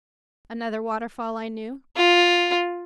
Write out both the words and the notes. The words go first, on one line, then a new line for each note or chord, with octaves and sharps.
"Another waterfall I knew."
F4